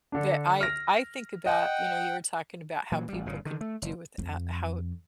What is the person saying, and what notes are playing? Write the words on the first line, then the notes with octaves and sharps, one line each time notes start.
The I I think about, you know, you were talking about how people could do with a how
D3 D4
F6 A#6
D#5 F#5 G5
A#2 E3 F#3
A1 G3
G1 A#2 C#3
D3 D#3
A3
F#1
F2